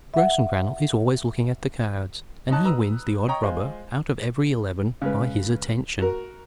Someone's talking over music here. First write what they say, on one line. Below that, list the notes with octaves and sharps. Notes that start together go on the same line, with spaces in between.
Grossengrannel is always looking at the cards, and he wins the odd rubber out of every eleven by his attention.
E5 F#5
G#2 D#4 C#5 A5 F#6
B4 A#5 D#6 E6
C#5 D#5 G5 A#5 C#6
G#3 F4 C5
C#3 G#3 B4
F#4 A#4